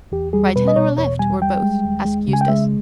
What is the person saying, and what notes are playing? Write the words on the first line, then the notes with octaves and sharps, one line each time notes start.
"Right hand or left, or both?" asked Eustace.
E2 G4
G3 G#4
B2 B4
D#5
B2 C#5
E2 C#5
G3 G#5
G3 G5
G#3
D#2
G#3
C#3
G#5
G5
G#3 E5